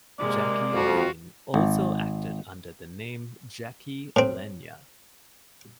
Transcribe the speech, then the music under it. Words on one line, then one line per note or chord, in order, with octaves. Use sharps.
Jackie Lane also acted under the name "Jackie Lenya".
C3 G#3 A#3 D5
F2 F4 F#4
G#1
A2 C4